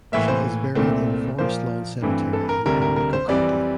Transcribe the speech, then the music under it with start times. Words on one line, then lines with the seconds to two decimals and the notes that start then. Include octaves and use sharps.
She is buried in Forest Lawn Cemetery in Henrico County.
0.12 A2 E3 A#3 E5
0.28 C5
0.75 C2 A#2 A3 C4
1.39 A#2 F3 A#3 C5
2.02 G2 E3 A3 C4
2.33 A4
2.49 A#4
2.66 D2 C3 G3 A#4
2.82 A#4
2.96 A#4
3.13 C5
3.28 F2 E3 G3 C4 D5